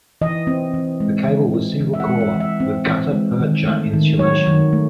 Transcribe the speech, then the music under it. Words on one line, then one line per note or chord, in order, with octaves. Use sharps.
The cable was single-core, with gutta-percha insulation.
E3 D#5
C4
E3
G#3
E3
C4
E3
E5
F#5
G#3
E5
E3
E5
C4
E3
G#3
D#3
A3
D#3
F#3 C#5
D#3
A3